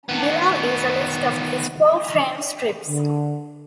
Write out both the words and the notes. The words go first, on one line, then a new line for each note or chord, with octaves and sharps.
Below is a list of these four frame strips.
D#3 B3
D3